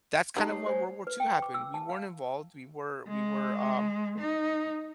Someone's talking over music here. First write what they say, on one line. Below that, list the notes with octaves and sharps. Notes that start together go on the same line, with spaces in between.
that's kind of why World War II happened. We weren't involved. We were we were, um,
G3 D#4 A5
A3 C#5 C7
C5 G#5
B4
G5
D6
E6
A5
F5
G#3
D#4